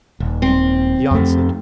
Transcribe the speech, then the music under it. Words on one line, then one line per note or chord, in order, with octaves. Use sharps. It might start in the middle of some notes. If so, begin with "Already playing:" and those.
He answered.
D#1
C4
F2 A3